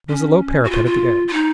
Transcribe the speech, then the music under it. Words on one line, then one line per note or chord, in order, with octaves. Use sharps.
There was a low parapet at the edge.
C#4
F#4
F4
F4
F4
D#4